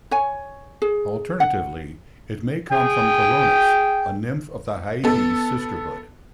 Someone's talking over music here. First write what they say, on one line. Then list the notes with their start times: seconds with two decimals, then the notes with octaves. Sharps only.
Alternatively, it may come from Coronis, a nymph of the Hyades sisterhood.
0.11 C#5 G#5
0.82 G#4
1.40 F#5
2.70 G#4 G5
5.04 B3 A4